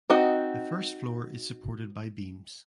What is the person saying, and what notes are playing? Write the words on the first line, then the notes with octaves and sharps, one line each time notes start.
The first floor is supported by beams.
C4 D#4 F#4 D#5 F#5